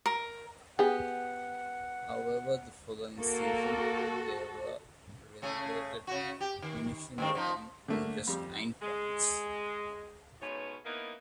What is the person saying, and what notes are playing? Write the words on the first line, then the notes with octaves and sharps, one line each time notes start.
However, the following season they were relegated, finishing bottom on just nine points.
A#4
B3 G4 G#4 F#5
A#3 F#4 A4
C#3 A3 G#4
C#3 F#4
G4
D#3
G2 D#3 C4
F3 D#4
D3 A3 A#3
F2 G3
G#3
G#2 B2 A3 C#4 B4 C#5
A#3 B3 C#4 D#4 E4 A#4